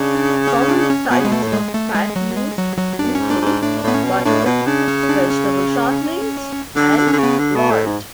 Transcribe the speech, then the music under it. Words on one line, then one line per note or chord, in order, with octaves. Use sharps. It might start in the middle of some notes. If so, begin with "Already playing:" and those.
Common types of fat used include butter, vegetable shortenings, and lard.
Already playing: C#3 D4
C#4
D4
C#4
B2 B3
C#3
B2 G#3
A3
A2
G#3
A3
G#3
F#3
G#3
F#3
F#3
F#2 D4
C#4
G#2
D4
G#2
D4
A2 D4
A2 B3
C#4
B2
A2 D4
B2 B3
C#3 D4
C#4
D4
C#4
D3 D4
D3 D4
C#4
D3
C#3
B3
D3
B2
A2
G#2